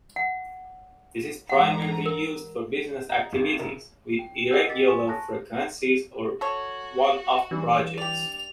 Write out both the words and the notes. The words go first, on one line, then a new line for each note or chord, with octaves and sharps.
This is primarily used for business activities with irregular frequencies or one-off projects.
F#5
G#2 E3 F#5 A#5
A#4
D#5 A#5
G#1
C#3 A#4 E5
G5
F#4 A#4 D#5 F#5 G5 E6
D6 A6 B6
G#5 C6 C#6
A5 A#5 F#6 A#6
F#4 A4 C#5
E3 G3 D4
G4 D5 F7